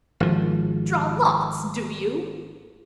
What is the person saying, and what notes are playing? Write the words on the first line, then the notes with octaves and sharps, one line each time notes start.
Draw lots, do you?
G#1 F3